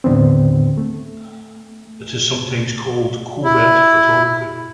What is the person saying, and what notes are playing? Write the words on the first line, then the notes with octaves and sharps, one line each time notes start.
It is sometimes called covert photography.
D#2 A2 D3 B3 C4
A3
E4